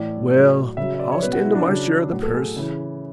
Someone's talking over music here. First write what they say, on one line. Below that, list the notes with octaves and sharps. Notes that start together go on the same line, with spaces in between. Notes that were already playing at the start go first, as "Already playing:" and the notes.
"Well, I'll stan' to my share of the purse."
Already playing: A2 E3 D5
A2 F#3
C#3 F#3 E5
E5
D5
C#5
B2 F#3 B4
F#4
E4
D4
C#3 F#3
A2 F#3 F#4
A4
G#4
C#3 E3